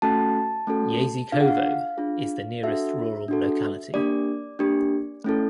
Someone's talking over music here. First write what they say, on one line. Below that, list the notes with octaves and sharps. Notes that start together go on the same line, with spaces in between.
Yazykovo is the nearest rural locality.
A3 C#4 F#4 A4 A5
A3 C#4 F#4 A4
D4 F4 G#4 F5
F#5
F5
D4 F4 G#4
D4 F#4 A4 E5
D4 F#4 A4
A#3 D4 G4 D5
A#3 D4 G4
A3 C#4 E4 A4